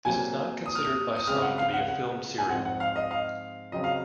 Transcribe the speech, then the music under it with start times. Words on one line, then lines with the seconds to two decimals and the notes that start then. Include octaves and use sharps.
This is not considered by some to be a film serial.
0.05 A#2 F#3 C4 G#5
0.66 D#6
0.75 F6
0.85 D#6
1.17 D#6
1.27 C#3 G#3 C4 F6
1.42 F#5
1.58 F5
1.73 F#5
1.88 F#5
2.38 G#5
2.49 G#2 F3 C4 F#5
2.65 F#5
2.80 F5
2.96 D#5
3.11 F5
3.72 C#3 F#3 C4 D#5
3.84 F5